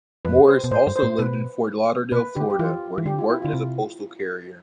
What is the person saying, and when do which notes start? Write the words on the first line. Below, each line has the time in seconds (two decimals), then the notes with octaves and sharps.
Morris also lived in Fort Lauderdale, Florida, where he worked as a postal carrier.
0.25 F2 B4
0.48 C5
0.64 B2
0.71 A2 C5
0.87 G2
0.96 C5
1.03 A2
1.18 B2 B4
2.12 B2 B4
2.35 D3 G4
2.50 G4
2.59 E3 F4
2.98 E3
3.06 D3 G4
3.19 F4
3.30 E4
3.42 D3 F4
3.53 C3